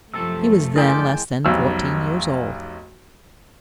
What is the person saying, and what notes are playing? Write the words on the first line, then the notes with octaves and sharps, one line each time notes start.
He was then less than fourteen years old.
F#2 C3 F3 A3 A4 E6
G#3 E4 F4 G4 A4 A#4 G5 A5
F1 B1 E6